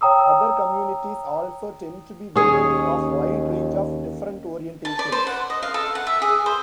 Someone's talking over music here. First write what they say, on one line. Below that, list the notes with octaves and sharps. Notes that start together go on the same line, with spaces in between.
Other communities also tend to be welcoming of wide range of different orientations.
C#5 G5 A#5 D#6 E6
D#2 C#4 G#4 C#5
A5
D5
C5
F#5
D#5
F5
A4
F#5
E5
G#4
C5